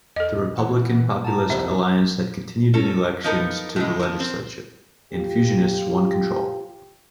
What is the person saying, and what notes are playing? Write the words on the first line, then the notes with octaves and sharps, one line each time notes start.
The Republican-Populist alliance had continued in elections to the legislature, and fusionists won control.
E2 A4 D#5
E3 F#5
A2 A5 A#5
C2 F2 E5 F#5
C#4 A4 A#4
F3 B3 D#4 A4 A#4
A2 C#3 G#3
F3 A#4
C4
F4 G4